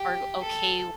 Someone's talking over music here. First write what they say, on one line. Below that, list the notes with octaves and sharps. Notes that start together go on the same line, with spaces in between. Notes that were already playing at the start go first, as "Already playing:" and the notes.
are okay with
Already playing: G4
A4